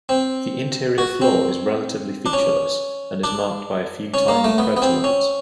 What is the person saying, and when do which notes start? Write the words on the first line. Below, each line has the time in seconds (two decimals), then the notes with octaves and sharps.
The interior floor is relatively featureless, and is marked by a few tiny craterlets.
0.09 C4
0.98 F#4
1.22 C4
2.26 D4
2.33 C#4
3.24 D4
4.14 C#4
4.28 A#3
4.44 A3
4.58 B3
4.77 B3
4.82 C4
5.04 C#4